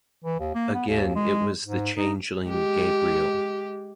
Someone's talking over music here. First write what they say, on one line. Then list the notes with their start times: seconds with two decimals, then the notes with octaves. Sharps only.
Again it was the changeling Gabriel.
0.24 E3
0.40 D#2
0.55 A#3
0.75 B3
0.88 D#2
1.15 G#3
1.64 G#2
1.97 D#4
2.46 G#3 G4